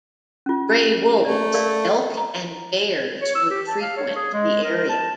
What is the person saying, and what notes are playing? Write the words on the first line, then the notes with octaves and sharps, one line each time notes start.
Grey wolves, elk and bears would frequent the area.
C#4 F4
A3 D5
A#4 D5 F5
A#5
C#5
E6
G4
A5
F5
C#5
G#4
G#3
A#4
A5